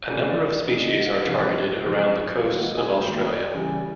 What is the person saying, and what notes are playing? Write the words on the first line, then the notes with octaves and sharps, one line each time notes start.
A number of species are targeted around the coasts of Australia.
C#3 E3 A3 D5
D5
D5
D5
C#3 E3 A3 D#5
F#5
F5
F5
E2 C3 F3 G#3 F#5
E2 C3 F3 G#3
G#2 D#3 F#3 A#3 F5
F#5
G#5
G#2 D#3 F#3 A#3 G5
C#5
D5
E2 C#3 E3 G3